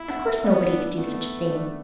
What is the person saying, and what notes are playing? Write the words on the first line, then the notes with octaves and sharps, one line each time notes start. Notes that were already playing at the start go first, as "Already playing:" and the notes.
Of course nobody could do such a thing.
Already playing: E4 E5
F#5
E5
B3 D5
D4
A3 B3
D4